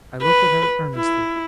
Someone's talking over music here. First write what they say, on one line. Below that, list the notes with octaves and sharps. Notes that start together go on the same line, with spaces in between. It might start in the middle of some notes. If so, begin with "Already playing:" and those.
I looked at her earnestly.
B4
E4